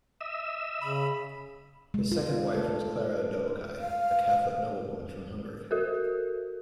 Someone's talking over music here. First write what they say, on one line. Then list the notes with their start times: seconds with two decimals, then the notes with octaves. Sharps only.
His second wife was Clara Dobokai, a Catholic noblewoman from Hungary.
0.21 D#5 E5 E6
0.82 C#3 B5
1.94 G#3
2.12 F4
2.54 A3 A4
3.81 F5
5.71 F#4 A4 A#4